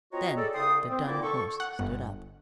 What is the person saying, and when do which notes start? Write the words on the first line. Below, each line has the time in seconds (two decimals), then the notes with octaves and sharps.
Then the dun horse stood up.
0.12 C4 F4 F#4 C#5 D#5 A#5
0.36 G#4 A4 D5
0.54 C2 C#3 G5 C6 D#6
0.88 C4
1.05 A#2 D3 D#4 E4 D5 D6
1.23 A4 C#6
1.60 F#5
1.79 G1